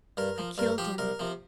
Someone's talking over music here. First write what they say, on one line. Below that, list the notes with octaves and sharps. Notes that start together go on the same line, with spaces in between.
I killed him.
G2 A#4
F3
G2 A#4
F3 G4
C2 A#4
C3 F3